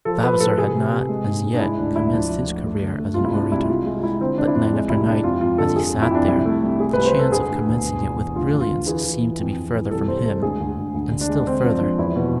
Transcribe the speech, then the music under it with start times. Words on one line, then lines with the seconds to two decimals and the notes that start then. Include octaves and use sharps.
Vavasor had not as yet commenced his career as an orator; but night after night, as he sat there, the chance of commencing it with brilliance seemed to be further from him, and still further.
0.05 F3 A4
0.23 F3 B4
0.40 A2 A4
0.58 C3 G#4
0.75 C3
0.92 C3
1.09 G#3
1.26 G#2
1.44 G#2
1.54 D4
1.61 G#3 E4
1.78 D2 D4
1.96 D2 E4
2.13 F3 D4
2.30 F3
2.47 A3
2.64 A3
2.82 D3
2.99 A3
3.14 C2 F4
3.24 E4
3.34 G#3 D4
3.52 C2 E4
3.69 G#3 F4
3.85 G#3 F4
4.03 G#3 E4
4.21 D3 C4
4.38 D3 D4
4.47 E4
4.55 F2 D4
4.73 G#3
4.90 C2 E4
5.07 G#3 D4
5.24 F2 F4
5.41 F2 F4
5.58 D3 A4
5.76 F2 G#4
5.94 F2
6.02 E4
6.11 F2 D4
6.28 C2 E4
6.45 A3
6.63 C2
6.79 A3 G#4
6.93 C2 B4
7.05 C5
7.15 A3 A4
7.32 D2 G#4
7.49 D2
7.67 D2
7.83 B2
8.01 E2
8.18 E2
8.35 D2 F4
8.52 D2
8.61 F4
8.70 D3
8.87 E3 G#4
9.04 E3
9.22 E3
9.39 F2
9.56 F2
9.74 E3
9.91 C2 A4
10.08 C2 C5
10.25 G#3 A4
10.43 D2 G#4
10.60 D2
10.77 D2
10.94 D2
11.12 D3
11.21 D4
11.29 G#3
11.47 D3 C4
11.64 F3 D4
11.81 F3 D4
11.98 E2 E4
12.16 B2